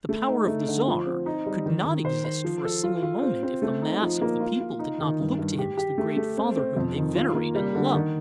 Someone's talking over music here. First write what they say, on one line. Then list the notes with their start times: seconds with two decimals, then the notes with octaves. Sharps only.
The power of the Czar could not exist for a single moment if the mass of the people did not look to him as the great father whom they venerate and love.
0.09 A3
0.28 D#4
0.47 A3
0.68 D3
0.87 F3
1.06 C4
1.26 D#4
1.46 G3
1.66 D#3
1.85 D#3
2.05 C5
2.24 C5
2.44 F3
2.64 A4
2.84 F4
3.03 F4
3.23 C4
3.43 C4
3.62 A3
3.82 D#4
4.02 F3
4.21 A#3
4.40 F4
4.60 F4
4.79 D#4
5.00 D#3
5.20 G2
5.38 G2
5.59 G4
5.77 G4
5.98 A3
6.17 A3
6.37 C4
6.57 C4
6.76 F2
6.96 D#3
7.15 F4
7.35 A#3
7.55 G3
7.75 D3
7.94 D#3